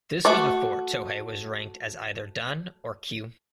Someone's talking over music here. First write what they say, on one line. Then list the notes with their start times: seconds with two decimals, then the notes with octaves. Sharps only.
This was before Tohei was ranked as either dan or kyu.
0.25 A3 F#4 D5